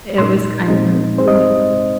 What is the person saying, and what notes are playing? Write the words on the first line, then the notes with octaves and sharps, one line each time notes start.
it was kinda creepy.
A#2 G#3 D#4 C6
A#2 F3 G#3 C4 D#4
G#2 G#3 C4 D#4 C5
D#5